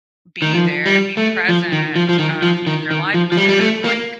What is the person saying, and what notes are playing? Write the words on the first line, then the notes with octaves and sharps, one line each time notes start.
be there and be present, um, in their life instead of, like,
D#3
F3
G3
A3
F3
D#3
F3
F3
D#3
F3
D#3
D#3
F3
F3
G3
G3
A3
A#3